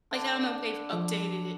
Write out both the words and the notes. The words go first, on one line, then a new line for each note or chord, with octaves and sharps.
Like, I don't know if they've updated it
D3 D4
F3